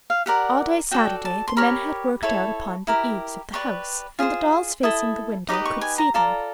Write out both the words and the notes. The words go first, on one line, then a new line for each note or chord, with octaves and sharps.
All day Saturday the men had worked out upon the eaves of the house and the dolls facing the window could see them.
F5
G4 A#4 D5 F#5
F#4 A4 D5 G5
A5
C6
G4 A#4 C#5 B5
E4 A4 C#5
E4 G4 A#4
G4 B4 D5 C#6
F4 G#4 C5
E4 A4 D#6
D#4 G4 B4 D#5 D6
C#6
G#5
A#5
F4 A4 D5 A#5